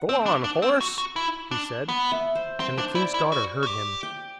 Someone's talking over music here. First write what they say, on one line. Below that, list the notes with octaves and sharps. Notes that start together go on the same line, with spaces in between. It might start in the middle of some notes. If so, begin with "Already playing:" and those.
"Go on, horse," he said and the king's daughter heard him.
Already playing: F#5
C4
D4
D4
C4
F#4
F#4
E4
D4
B3
E5
C5
C4 C5
D4
E4 D5
E4
F#4
F#4
G4
G5